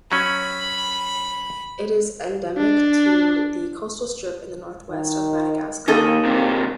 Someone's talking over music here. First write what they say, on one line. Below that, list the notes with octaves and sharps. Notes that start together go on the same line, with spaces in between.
It is endemic to the coastal strip in the northwest of Madagascar.
F#3 C#4 B5
D4
D#3
D#2 A#3 D#4 G#4 A4
E2 C3